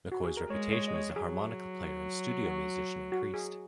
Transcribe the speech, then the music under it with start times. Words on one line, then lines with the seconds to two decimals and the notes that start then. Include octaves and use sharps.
McCoy's reputation as a harmonica player and studio musician increased.
0.12 F#4
0.24 G#4
0.37 A#4
0.50 G#3 C#5
0.72 C#5
0.88 D#5
0.94 C#5
1.16 F#3 G#4
2.46 F#4
3.12 F#4
3.34 G#4